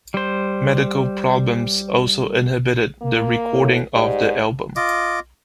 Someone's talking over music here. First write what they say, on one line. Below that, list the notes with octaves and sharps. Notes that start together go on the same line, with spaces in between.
Medical problems also inhibited the recording of the album.
G3 C5
A#3
A2
G#2 G3
F4 D#5 D6